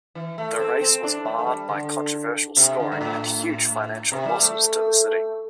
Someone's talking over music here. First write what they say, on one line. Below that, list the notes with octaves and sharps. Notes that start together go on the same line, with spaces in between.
The race was marred by controversial scoring and huge financial losses to the city.
E3
A3
C4
C4
D4
A3
A3
G3
D3
C3
D3
G2
A2
C3
G3
A3